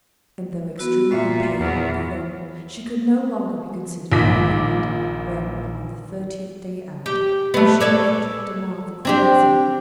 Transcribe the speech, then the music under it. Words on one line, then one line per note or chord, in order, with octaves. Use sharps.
And though extremely pale and thin, she could no longer be considered an invalid, when, on the thirtieth day out, their ship entered the mouth of the Mersey.
B3 F#4 E6
A#2 F4 E5
E2
A#1 A#2 D#3 D6 B6
G4
A3 B3
A4 C#5 D5
C4 D4 G4